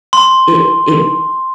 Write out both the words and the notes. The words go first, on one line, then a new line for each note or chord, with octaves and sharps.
it it
C6